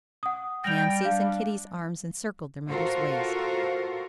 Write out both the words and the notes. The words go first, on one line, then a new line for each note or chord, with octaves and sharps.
Nancy's and Kitty's arms encircled their mother's waist.
F#5 D#6
G3 G5 A#6 F7
D4 F5
F4 F#4 A4 A#4 C5